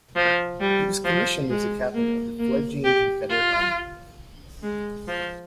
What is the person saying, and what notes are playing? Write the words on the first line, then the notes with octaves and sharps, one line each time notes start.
He was commissioned as a captain in the fledgling Confederate army.
F3
G3
F3
G#3
A#3
A#3
G4
F4
G#3
F3